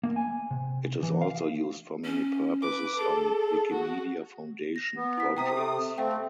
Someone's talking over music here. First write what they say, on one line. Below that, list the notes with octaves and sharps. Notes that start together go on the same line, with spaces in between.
It is also used for many purposes on Wikimedia Foundation projects.
A#3
G#5
C3
E3
F5
C#4
B4 D6
G#4 A4
F#4
A#6
B3
E4 B6
C3 G5 A#5 D#6 B6
G4 A4 E5
A3 C4 E5 F5 G5